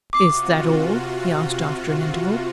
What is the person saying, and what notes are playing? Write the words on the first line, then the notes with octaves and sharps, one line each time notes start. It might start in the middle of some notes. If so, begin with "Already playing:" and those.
"Is that all?" he asked after an interval.
C3 F4 F#4 D6 C7